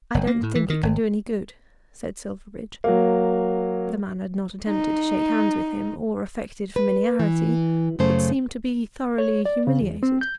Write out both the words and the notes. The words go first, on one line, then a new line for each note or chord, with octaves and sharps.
"I don't think it can do any good," said Silverbridge. The man had not attempted to shake hands with him, or affected familiarity; but seemed to be thoroughly humiliated.
F#1
A#3
A2
E3
D#3
G#1
F#3 A#3
D#4
B4
E3
F#2 C#3 A3 C5
C#5
D5
C#3
E2
C4
G6